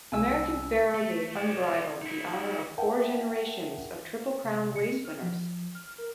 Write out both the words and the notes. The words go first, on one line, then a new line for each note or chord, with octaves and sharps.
American Pharoah gave Unbridled the honour of four generations of Triple Crown race winners.
C2 G#5 E6
A3
C5 D5
D#4 E5
A#4 E5 F#5 G5 A5
C3
C#7
C4
F6
F3
F6
A#4